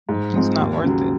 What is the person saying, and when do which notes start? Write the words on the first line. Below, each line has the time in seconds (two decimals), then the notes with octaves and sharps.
No, it's not worth it.
0.09 G#2
0.34 F3 G#3 C4
0.59 D#2
0.84 C#3 F#3